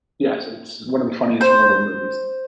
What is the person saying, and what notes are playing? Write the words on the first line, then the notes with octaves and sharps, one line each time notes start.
Yes, it's one of the funniest Marvel movies.
C5